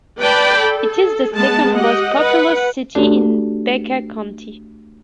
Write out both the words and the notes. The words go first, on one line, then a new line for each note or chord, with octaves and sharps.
It is the second most populous city in Becker County.
B4 D5 G5 A5 B5
A4
G#3 B3 A5
G4 D#5 F#5
B4 F#5
A3 D4 F#4 G4 A4 D5